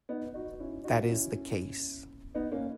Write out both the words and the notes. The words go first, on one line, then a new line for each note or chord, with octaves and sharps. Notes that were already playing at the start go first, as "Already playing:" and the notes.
That is the case.
B3 D#4
D#4 F#4
C#4 E4
D#4 F#4
F#4
C#4 E4
B3 D#4
A#3 C#4